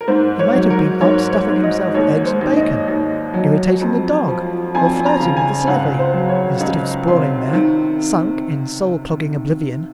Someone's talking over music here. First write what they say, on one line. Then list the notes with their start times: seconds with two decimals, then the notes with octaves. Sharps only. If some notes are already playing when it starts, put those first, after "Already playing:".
He might have been up stuffing himself with eggs and bacon, irritating the dog, or flirting with the slavey, instead of sprawling there, sunk in soul-clogging oblivion.
0.01 A#4
0.08 G#2 C5
0.39 C#5
0.54 F#3
0.70 A#4
1.01 G#2 C#5
1.32 C#5
1.48 G#2
1.63 D#5
1.95 D#2 C#5
2.26 C5
2.41 D#2
2.56 D#5
2.88 D#2
3.34 F#3
3.81 F2
4.28 F3
4.75 F2 G#5
5.06 A#5
5.20 C#3
5.37 G#5
5.67 C#2 F#5
5.99 C5
6.13 F#3
6.29 C#5
6.61 C#2 D#5
7.07 C3 C6
7.53 D#3